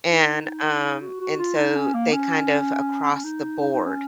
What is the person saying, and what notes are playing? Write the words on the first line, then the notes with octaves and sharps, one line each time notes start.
And, um, and so they kind of, across the board,
D#4
F#4
F#4
F4
D#4
C#4
A#3
C#4
C#4
D#4
D#4
D#4
C#4